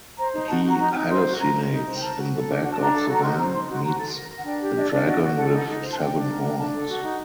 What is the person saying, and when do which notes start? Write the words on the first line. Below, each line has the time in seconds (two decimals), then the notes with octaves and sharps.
He hallucinates in the back of the van, meets a dragon with "seven horns".
0.17 C5 A#5
0.33 D#4
0.48 F#4 A5
0.63 F#4 A#5
0.78 D#4 A#5
0.94 D#4
1.09 C5 C6
1.25 F#4
1.39 A#4 A#5
1.55 A#4
1.70 D#4
1.85 C5
1.94 G5
2.00 A#4 A5
2.16 F#4
2.31 A4
2.46 D4
2.52 D#5
2.61 F#4 F#5
2.71 A5
2.76 D4
2.81 A#5
2.92 A4
3.07 F#4
3.13 A#5
3.22 D#4 C6
3.37 C5 A#5
3.52 D#4 C6
3.67 F#4
3.76 C6
3.83 F#4 A#5
3.98 A4
4.13 A#4
4.29 A#4
4.37 F#5
4.44 D4 G5
4.59 G4
4.74 D4 D#5
4.90 D4 D5
5.05 F#4 D#5
5.20 F#4
5.35 A4 F#5
5.51 D#4
5.66 D#4
5.81 C5
5.91 A5
5.96 D4 G5
6.12 D4
6.27 A#4
6.39 D4 F#5
6.48 G5
6.57 D4 A5
6.72 A4
6.88 F#4
7.03 D#4